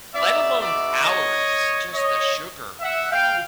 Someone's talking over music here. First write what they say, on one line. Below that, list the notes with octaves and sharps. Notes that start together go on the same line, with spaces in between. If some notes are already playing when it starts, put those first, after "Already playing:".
Let alone calories, just the sugar. Ooh.
G#3 B3 D#4 F#4 D5 E5
D5 E5
C#5 D#5
C#5 D#5
E5 F#5
F5 G5